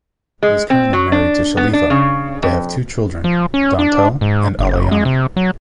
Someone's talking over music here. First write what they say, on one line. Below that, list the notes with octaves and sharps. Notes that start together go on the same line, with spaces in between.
He is currently married to Shalifa; they have two children, Dantel and Alayana.
G#3
C4
F#3
D4
B3
D4
C#3
F2
F3
C#4
D4
G#2
F#1
G#3
C3
F#3